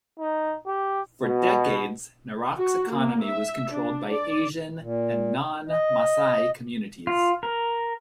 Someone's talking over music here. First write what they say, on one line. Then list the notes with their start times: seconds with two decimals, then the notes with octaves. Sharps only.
For decades, Narok's economy was controlled by Asian and non-Maasai communities.
0.19 D#4
0.67 G4
1.22 B2
2.58 F#4
2.91 A#3
3.25 E5
3.73 D4
4.10 D5
4.79 A#2
5.69 D#5
7.07 F4
7.43 A#4